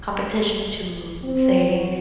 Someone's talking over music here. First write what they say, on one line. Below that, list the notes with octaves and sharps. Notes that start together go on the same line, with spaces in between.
competition to say,
C4
F#3